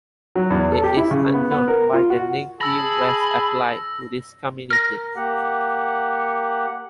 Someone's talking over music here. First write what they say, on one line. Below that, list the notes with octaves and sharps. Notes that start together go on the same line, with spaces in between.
It is unknown why the name Plew was applied to this community.
F#3
E2
A4
G4
E4
C#3
B3
B3
A#4
F4
F#4
G#4 A5 B5 E6 A#6
A#4 F6 A#6
A#3 G4 F#5